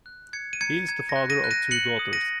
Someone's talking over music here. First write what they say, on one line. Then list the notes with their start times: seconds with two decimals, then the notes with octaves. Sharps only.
He is the father of two daughters.
0.06 F#6
0.33 F#6 G#6 C#7
0.53 D#7
0.61 A#5 G#6 C#7
0.89 A#5 G#6
1.09 A#6
1.16 F#6
1.30 A#6 D#7
1.44 F#6
1.51 A#6 D#7
1.71 F#6 C#7 F#7
1.99 D#6
2.13 A#6 D#7